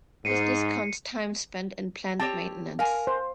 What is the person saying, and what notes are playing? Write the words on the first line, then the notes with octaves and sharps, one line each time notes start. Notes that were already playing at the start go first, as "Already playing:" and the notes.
This discounts time spent in planned maintenance.
G#2 C7 C#7 D#7
C4 G4 C#5 A5
A#4 F5 G#5
C5